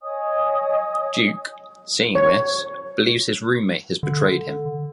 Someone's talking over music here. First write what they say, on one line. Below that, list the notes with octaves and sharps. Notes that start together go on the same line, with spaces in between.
Duke, seeing this, believes his roommate has betrayed him.
C#5 D#5 G#5 D#6
C#5
D3